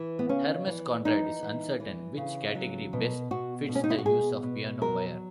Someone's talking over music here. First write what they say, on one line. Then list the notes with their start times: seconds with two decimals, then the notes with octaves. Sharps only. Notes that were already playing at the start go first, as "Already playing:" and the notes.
Hermes Conrad is uncertain which category best fits the use of piano wire.
Already playing: E3
0.19 B3
0.29 C#3 C#4
0.67 E3
1.05 E3 D#4
1.43 E3
1.80 E3
2.17 C#3
2.55 F#3
2.93 B2
3.31 B2 F#4
3.68 B2
3.75 C#4
3.84 D#4
3.90 E4
3.98 F#4
4.06 B2 G#4
4.43 B2
4.82 F#3 A#4